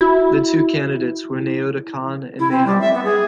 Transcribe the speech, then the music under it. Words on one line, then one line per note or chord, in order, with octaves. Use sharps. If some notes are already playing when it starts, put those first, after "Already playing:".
The two candidates were Naoto Kan and Maehara.
E4 F#4
E4
C4
G3
E5
B3
G#4